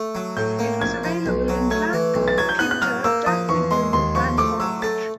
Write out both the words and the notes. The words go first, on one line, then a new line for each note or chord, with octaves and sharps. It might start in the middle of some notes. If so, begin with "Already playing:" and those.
It was available in Black, Pewter, Daphne Blue and Orange.
Already playing: A3
F#3
A2 G6
A#3
A#1 G#6
F3
B1
F#3
A3 G#6
E3
B1
A6
F#3 G#6
G6
B3 F#6
F#6
F#3 F6
A#3 E6
F3 D#6
E2 C#6
G#3 C6
D#2 C6
F3 C#6
A3 D6
F#3 E6
A3 A6